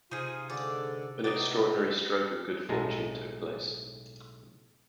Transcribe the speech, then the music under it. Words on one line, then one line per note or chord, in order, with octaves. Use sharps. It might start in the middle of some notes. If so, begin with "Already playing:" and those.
An extraordinary stroke of good fortune took place.
C3 F3 D#4 F4 G#4
G#2 D3 D5
A2 F#3 B3 D#4 D5 D#5
B1 A2 G#3 A5 A#5